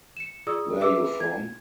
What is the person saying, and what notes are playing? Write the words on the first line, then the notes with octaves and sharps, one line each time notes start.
Where you from?
C#7 E7
F4 G#4 D5 D#6 E6
G#4 B4 E5 D6 E6
G#6